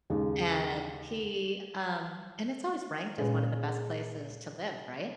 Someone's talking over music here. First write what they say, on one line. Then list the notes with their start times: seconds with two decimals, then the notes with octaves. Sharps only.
and he, um and it's always ranked as one of the best places to live, right?
0.10 D#2 C#3 G#3
3.18 A#2 G#3 C#4 G#4 B4